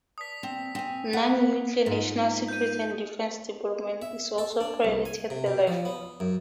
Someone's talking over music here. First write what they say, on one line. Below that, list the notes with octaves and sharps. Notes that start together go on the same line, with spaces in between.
Non-nuclear national security and defense development is also a priority at the lab.
B4 D5 A5 D#6 B6
C4
C4 G#5
F#5 B5
G#2 A#3 D#4 F4
G6 D#7
E5
A4
D4
C2
G#5
C3
B2
F3
B3
F#2